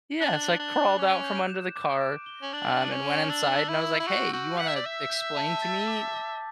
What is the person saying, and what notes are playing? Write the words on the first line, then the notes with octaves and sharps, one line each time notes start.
Yeah, so, I crawled out from under the car, um, and went inside, and I was, like, "Hey, you wanna explain to me,
D4 F#6
F#6
D4
F#6
C#4 D6
G6
E7
D6
D7
G7
C#4
D4 F#7
F#7
C#4
F#7
D4 E6
E6
E4
E6
E4
F#4 G6
F#4 G6
F#5 B6
E5
D5
E5 E6
G6
A5
A6
D6
D6